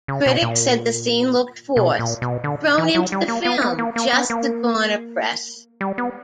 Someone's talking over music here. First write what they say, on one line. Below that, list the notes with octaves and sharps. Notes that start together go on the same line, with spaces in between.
Critics said the scene looked forced, thrown into the film just to garner press.
C#3
B2
A#2
B2
A#2
B2
D3
E3
F#3
G3
A#3
B3
B3
A#3
A#3
B3
A#3
G3
B3